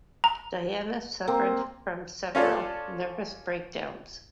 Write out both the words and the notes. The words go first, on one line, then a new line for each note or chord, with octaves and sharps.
Diana suffered from several nervous breakdowns.
A#5
A#3 C4
C#4 F4 A4 D5